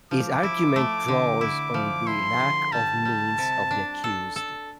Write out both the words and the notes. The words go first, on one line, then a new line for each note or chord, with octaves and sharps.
His argument draws on the lack of means of the accused.
F3 D6
E4
A3
D3
E4
F3
E4 C6
D3
G3 A5
G3
C3
D4
A4
A4